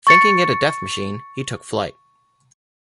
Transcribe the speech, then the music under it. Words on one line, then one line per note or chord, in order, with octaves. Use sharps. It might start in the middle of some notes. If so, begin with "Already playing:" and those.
Thinking it a death machine, he took flight.
C#6 A6 C#7